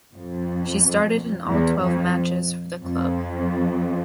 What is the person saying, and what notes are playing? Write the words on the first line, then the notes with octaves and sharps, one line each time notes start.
She started in all twelve matches for the club.
F2
E2
F2
F2